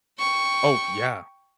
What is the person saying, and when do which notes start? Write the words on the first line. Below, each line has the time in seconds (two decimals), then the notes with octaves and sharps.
Oh, yeah.
0.19 G5 C#6